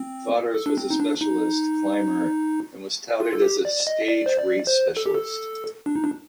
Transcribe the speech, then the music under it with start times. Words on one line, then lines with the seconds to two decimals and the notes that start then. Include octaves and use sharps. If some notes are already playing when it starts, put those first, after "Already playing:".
Vaughters was a specialist climber and was touted as a Stage race specialist.
Already playing: C4
0.54 A4
0.66 D4
0.78 C4
0.90 D#4
1.00 D4
1.21 D#4
3.20 F4
3.33 A4
3.42 G4
3.65 D5
3.87 D#5
4.08 D5
4.26 C5
4.39 D5
4.67 C5
4.97 A4
5.06 G4
5.14 A4
5.86 D4
5.96 D#4
6.04 D4